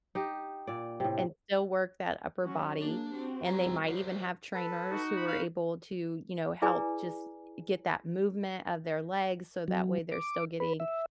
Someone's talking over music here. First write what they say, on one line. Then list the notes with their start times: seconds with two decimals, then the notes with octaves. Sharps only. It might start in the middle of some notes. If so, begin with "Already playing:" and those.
and still work that upper body, and they might even have trainers who are able to, you know, help just get that movement of their legs so that way they're still getting,
0.15 D#4 G4
0.67 A#2 D5
1.00 A2 C3
2.45 F#3 C#4 F#4
2.82 A#3 D4 G#4
3.14 C4 F#4 G4
3.46 G3 A#5
3.88 F#3 A#4 C5 D5
4.53 A4 B4
4.91 D#4 F#4
5.16 B5
5.27 F5 B5
6.62 E4 G#4 B4 D5 G#5 A#5
9.68 F#3
10.12 D6
10.60 B4
10.80 E5